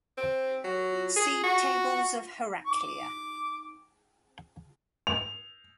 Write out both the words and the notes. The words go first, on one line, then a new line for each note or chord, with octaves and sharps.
See Tables of Heraclea.
C4
F#3
G#4
F#4
D6
F7